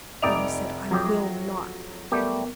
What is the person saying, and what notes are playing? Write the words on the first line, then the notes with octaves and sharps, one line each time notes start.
And he said, "I will not."
F1 D#4 D5 E5 D7 F7
F2 F#3 G4
G3 A3 B3 G4 A#4